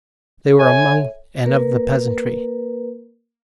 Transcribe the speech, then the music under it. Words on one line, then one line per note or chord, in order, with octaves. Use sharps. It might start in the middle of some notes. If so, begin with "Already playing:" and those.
They were among and of the peasantry.
A4 C#5 E5 G#5
A#3 A#4 B4